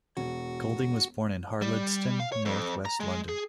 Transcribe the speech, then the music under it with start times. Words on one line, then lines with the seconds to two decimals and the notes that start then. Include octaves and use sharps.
Golding was born in Harlesden, North West London.
0.17 E1 F#4
1.62 G3
2.20 F5
2.32 C#5
2.45 F2
2.85 A#5
3.00 G#3
3.29 G#4